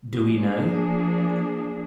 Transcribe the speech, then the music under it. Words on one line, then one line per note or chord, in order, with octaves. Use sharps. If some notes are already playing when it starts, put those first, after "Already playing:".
Do We Know!?
F3 A#3 D4 G#4